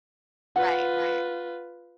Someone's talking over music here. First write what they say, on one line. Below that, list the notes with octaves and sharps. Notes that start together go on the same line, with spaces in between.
Right, right.
F4 B4 F#5